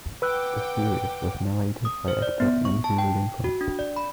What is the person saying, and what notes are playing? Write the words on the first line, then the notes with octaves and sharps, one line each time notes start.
The series was narrated by actor Andrew Lincoln.
B4 F#5 G5 D6 E6 F#6
D#6
C5
D5
B3
C#6
A5
G5
F#4
D4
D5
B5